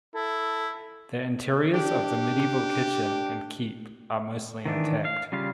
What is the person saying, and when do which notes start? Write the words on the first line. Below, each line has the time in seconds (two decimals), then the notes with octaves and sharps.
The interiors of the medieval kitchen and keep are mostly intact.
0.15 E4 A4
1.73 D4 G4
4.66 D#3 E3 D4
5.05 F5
5.32 C#3 G3 F4 F5